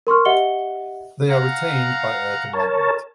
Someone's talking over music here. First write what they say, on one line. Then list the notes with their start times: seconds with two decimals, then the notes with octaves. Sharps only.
They are retained by earth embankment.
0.07 A#4 C6 C#6 F6
0.25 G4 D#5 E5 F#5 C#7 G7
1.29 F5 F#5 A#5
2.53 A#4 C#5 A5